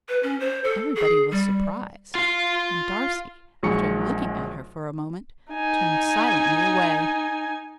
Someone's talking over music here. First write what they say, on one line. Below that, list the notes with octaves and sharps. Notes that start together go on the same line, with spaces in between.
Everybody was surprised, and Darcy, after looking at her for a moment, turned silently away.
B4
C#4
C5
A4
G#4
G3
F4 F5
A#1 F#3 G#3 D#4 C#6 C#7
D#4 G#5